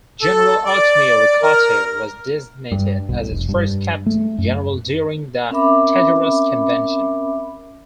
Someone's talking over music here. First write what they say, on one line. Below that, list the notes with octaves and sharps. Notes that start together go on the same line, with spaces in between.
General Artemio Ricarte was designated as its first Captain General during the Tejeros Convention.
A4
D5
A#4
G2
B1
F1
G2
A3
F#2
C4 C#4 A#4 E5 B5 D6